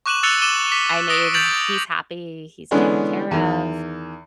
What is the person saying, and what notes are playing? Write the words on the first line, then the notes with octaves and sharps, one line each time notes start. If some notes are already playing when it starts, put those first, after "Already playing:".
I made he's happy, he's taken care of
C#6 D6 F#6 D#7 E7 F#7
E6 F#6 A6 C#7 F7 G7
D6 D#7 E7 G7
D6 B6
D#6 A#6 D7
G6 A6 B6 D7 F7 F#7
D3 E3 G#3 B3 C#4 D4
E2 D#3